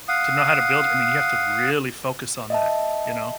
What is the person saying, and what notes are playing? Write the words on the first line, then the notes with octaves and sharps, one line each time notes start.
to know how to build, I mean, you have to really focus on that, you know?
F5 F#5 D#6
D#5 E5 A5